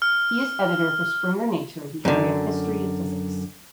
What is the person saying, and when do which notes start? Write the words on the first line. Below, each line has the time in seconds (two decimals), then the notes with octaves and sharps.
He is editor for Springer Nature in the area of History of Physics.
0.02 F6
2.05 F#2 D3